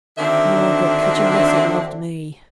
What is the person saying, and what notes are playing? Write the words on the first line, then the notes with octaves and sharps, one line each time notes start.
Margaret, could you not have loved me?
D3 D#3 C4 D4 F#4 E5